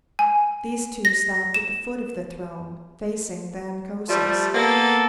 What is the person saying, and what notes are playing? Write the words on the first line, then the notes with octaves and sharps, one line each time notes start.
These two stopped at the foot of the throne, facing Than Kosis.
G#5
A#6
E7
F3 G3 A3
A#3 B3 A4